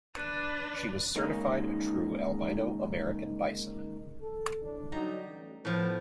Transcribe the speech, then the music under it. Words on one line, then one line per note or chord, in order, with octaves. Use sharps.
She was certified a true Albino American Bison.
D4 B4
G#2 C#3 A#3 C#4 D#4
A4
A2 D4
D3 F#3 G3 D#4 A#5
A1
A2 F3 B3